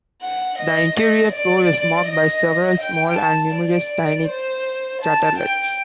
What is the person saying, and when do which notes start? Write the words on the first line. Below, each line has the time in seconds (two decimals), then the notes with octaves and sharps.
The interior floor is marked by several small and numerous tiny craterlets.
0.22 F#5
0.58 D#5
0.96 D#5
1.33 D5
2.06 D#5
2.80 G5
3.17 A5
3.53 D5
4.27 C5
5.02 A5
5.39 G5